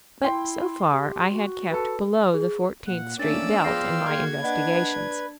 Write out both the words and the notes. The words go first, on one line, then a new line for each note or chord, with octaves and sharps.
But so far I had kept below the Fourteenth Street belt in my investigations.
E4 G5 C6
G4
F#4
F#4 A4 B4
G#4
A#2 F#5
A3 A#3 C#4 D4 D5 E6 A6
F3 B3 G#4 F5 G5 C6 A#6 C7
A#3 F#4 G#4 G#6
D4 B4 D5 D#5 F#5
D5